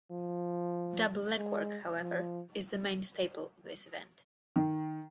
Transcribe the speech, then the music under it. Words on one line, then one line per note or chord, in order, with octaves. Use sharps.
Double leg work however, is the main staple of this event.
F3
G#3
F3
D#3